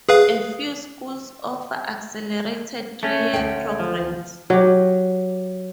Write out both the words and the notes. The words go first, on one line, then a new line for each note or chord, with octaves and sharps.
A few schools offer accelerated three-year programs.
G#4 B4 F5
A3 C#4
D2 G5
F3
F#3 G4